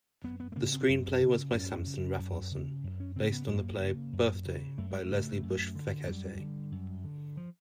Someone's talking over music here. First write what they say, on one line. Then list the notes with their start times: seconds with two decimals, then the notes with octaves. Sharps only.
The screenplay was by Samson Raphaelson based on the play "Birthday" by Leslie Bush-Fekete.
0.24 F#2 B3
0.40 B3
0.52 A3
0.56 C#3 A#3
0.73 C4
0.89 F#2
1.21 C#3
1.54 F#2 C#4
1.86 C#3
2.19 F#2
2.51 C#3
2.84 F#2
3.00 C#4
3.16 C#3 C4
3.32 B3
3.48 F#2 A#3
3.80 C#3
4.13 F#2
4.46 C#3
4.78 F#2 A3
4.91 G#3
5.04 A3
5.10 C#3
5.43 F#2
5.75 D3
6.07 F#2 G3
6.40 D3
6.72 F#2
7.04 D3
7.37 F3